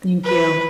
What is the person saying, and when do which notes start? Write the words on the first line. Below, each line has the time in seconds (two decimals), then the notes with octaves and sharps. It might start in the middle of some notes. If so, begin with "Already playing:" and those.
Thank you.
0.25 B4